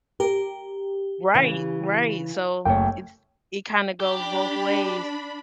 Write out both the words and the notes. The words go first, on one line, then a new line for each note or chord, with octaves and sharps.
Right, right, so, it's it kinda goes both ways.
G4 A#4
C#3 E3
F#1 A3 C#5 G5
D4 G4 B5